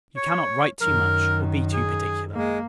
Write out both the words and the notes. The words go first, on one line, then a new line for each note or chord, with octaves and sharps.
You cannot write too much, or be too particular.
C#5
F#2 D#3 A#4
G#4
G#3 A#3